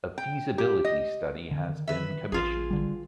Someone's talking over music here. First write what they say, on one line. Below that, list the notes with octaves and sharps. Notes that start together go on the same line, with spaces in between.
A feasibility study has been commissioned.
G5
G4
D#5
D3 D#3
B4 E5
A1 F4 G#4
D3 G3